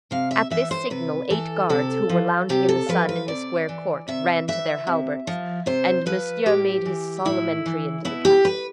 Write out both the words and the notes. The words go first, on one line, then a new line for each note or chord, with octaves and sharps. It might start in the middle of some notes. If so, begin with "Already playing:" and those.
At this signal, eight guards, who were lounging in the sun in the square court, ran to their halberts, and Monsieur made his solemn entry into the castle.
C3 F5
E5
E3 E5
C5
C3 B4
E3 A4
C3 A4
F3
C3 G4
A4
F3 B4
B4
C3 D5
E3
C3 E5
E3 E5
C3
F3
C3 C5
F3 B4
A2 G4
E3
A2 E4
E3
B2 E4
G4
B4